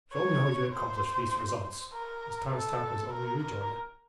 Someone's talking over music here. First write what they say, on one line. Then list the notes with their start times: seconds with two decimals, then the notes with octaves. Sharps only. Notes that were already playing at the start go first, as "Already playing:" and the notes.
"Show me how you accomplish these results," was Tars Tarkas' only rejoinder.
0.13 C#5
0.73 C5
1.93 A#4
2.53 A4
3.13 A#4
3.44 A#4